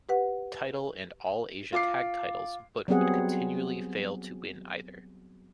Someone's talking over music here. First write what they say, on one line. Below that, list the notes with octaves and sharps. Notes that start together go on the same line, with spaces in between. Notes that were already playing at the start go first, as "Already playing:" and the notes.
Title and All Asia Tag Titles but would continually fail to win either.
G4 B4 F#5
F4 D6 C7
F#3 G3 B3 C4 G#4 F#5